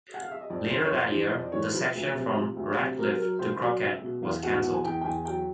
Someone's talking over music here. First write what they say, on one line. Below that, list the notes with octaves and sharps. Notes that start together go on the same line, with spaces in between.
Later that year, the section from Ratcliff to Crockett was cancelled.
F#5
F5
E5
D#5
F2 D5
F2 C5
C#5
F2 C5
E3
F2 D#5
D5
E3 C#5
C5
F3 B4
D2
C3
F3
D2
C3
F#3 A#4
F#3 A#4
C#2 C5
F#3 D5
C#2
E5
B2
E2 F5
B2 F#5
E2 F#5
G#5
E2 G5
G5
E2 G#5
F#3 G5